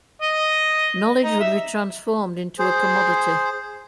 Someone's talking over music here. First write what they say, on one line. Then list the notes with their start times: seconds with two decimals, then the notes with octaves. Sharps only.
Knowledge would be transformed into a commodity.
0.22 D#5
1.24 D#4
1.40 E5
2.59 G#4 C5